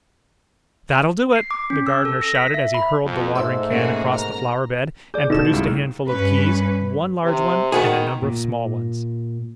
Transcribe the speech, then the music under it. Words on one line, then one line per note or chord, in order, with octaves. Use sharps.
"That'll do it!" the Gardener shouted, as he hurled the watering-can across the flower-bed, and produced a handful of keys--one large one, and a number of small ones.
C7
D6
C#4
E6
A4
A#6
B6
E5
B5
F2
G#2 A3 C5 E5 E6
B2 A#3 C#4 F#4 G#4
A#5 F6
G#4 D5 D6 G6
B2 D3 D#4 A4 E7
C#2 A2 G3
G2 C#4 B4
C3
D#3 B3 F#4 G#4
A#2